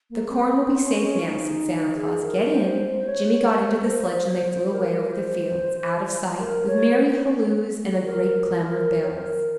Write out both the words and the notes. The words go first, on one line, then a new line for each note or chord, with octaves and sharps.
"The corn will be safe now," said Santa Claus, "get in." Jimmy got into the sledge and they flew away over the fields, out of sight, with merry halloos and a great clamour of bells.
A#3
C4
C#4
C#4
D#4
G#4
A#4
C5
C#5
A#4
C5
A#4
A#4
C5
A#4
C#5
A#4
A#4
C#5
C5
A#4